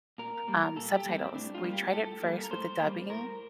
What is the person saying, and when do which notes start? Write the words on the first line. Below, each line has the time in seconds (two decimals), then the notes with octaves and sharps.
um, subtitles. We tried it first with the dubbing,
0.18 A#2 A#4
0.48 G3 A#3
0.76 A#2 A4
0.97 G4
1.06 G3 A#3
1.16 C4
1.35 A2 D4
1.55 F4
1.64 G3 A#3
1.73 G4
1.93 A2 A4
2.22 G3 A#3
2.44 A#4
2.51 A2 C5
2.80 G3 A#3
3.09 A2 A#4